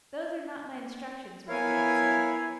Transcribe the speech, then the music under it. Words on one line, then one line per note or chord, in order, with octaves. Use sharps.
'Those are not my instructions,' was the answer.
B3 E4 A#4 C#5 F5 G#5